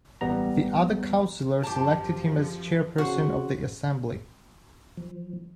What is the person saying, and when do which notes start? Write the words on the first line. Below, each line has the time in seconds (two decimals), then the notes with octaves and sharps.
The other councillors elected him as chairperson of the assembly.
0.21 A1 G3 B3 A#5
1.63 F#2 F3 G4 A5
2.98 C#3 F#4 C5
4.97 F3